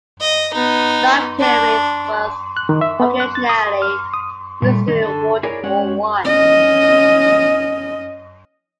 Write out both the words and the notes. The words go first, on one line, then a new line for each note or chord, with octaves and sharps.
Knobkieries was occasionally used during World War One.
D#5
B3 D#4
D4
F#6
D#3
E5
B3
F#6
A6
D#6
F6
D#6
A#2 G3 A3
D#3 D#4
D3 A4
E4 G#4 A#4 C#5 D5
G#3 C#4 G4 C#5 F#5
C#4 D#5